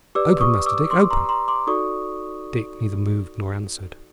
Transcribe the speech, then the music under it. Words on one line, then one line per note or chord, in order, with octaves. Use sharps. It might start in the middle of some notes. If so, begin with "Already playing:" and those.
"Open, Master Dick; open!" Dick neither moved nor answered.
G4 B4 D5 D6 E6
C#6 D#6
D6 E6
C6 D6
A#5 C6
A#5 C6
C6 D6
D#4 F#4 A4 D5 C#6 D#6